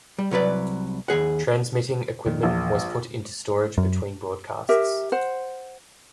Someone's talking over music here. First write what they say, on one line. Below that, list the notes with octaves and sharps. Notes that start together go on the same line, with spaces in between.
Transmitting equipment was put into storage between broadcasts.
G3
C2 F#3 B4 D5
D#2 C#3 G#4 F#5
F2 A#2 D#3
A#1 E2 A#2
F#2
G4 A#4 E5
C5 F#5